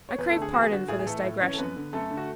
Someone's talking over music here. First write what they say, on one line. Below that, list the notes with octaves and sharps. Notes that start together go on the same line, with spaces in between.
I crave pardon for this digression.
C#5
E2 B3 B4
A3 A4
D3
G#4
E2 F#4
G#4
D3 F#4
A2 G#4
G#4
E3 A3 A4
A2
E3 C#4 C#5
A4
F#2 B3 B4
D3
F#2 A3 A4
D3
F#4